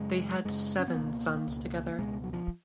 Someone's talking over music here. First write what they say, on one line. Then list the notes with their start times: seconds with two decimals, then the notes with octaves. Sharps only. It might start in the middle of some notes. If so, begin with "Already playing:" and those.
They had seven sons together.
Already playing: F#2 C#3 G#3
0.44 F#2 C#3 G#3
0.79 C#4
0.88 B3
0.96 C#2 B2 A#3
1.48 C#2 B2
1.99 C#2 B2 G#3
2.24 F#3
2.33 F3